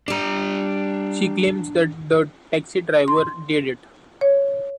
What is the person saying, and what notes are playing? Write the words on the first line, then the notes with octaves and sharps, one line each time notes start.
She claims that the taxi driver did it.
G3 D4 D5 A#5
C6
C#5